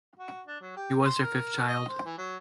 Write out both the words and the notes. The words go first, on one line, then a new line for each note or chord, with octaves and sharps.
He was their fifth child.
F#4
D4
F#3
G4
C6
A#4
D#5
C5
E3
F#3